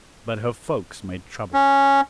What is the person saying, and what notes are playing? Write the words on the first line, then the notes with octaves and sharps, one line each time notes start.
But her folks made trouble.
C#4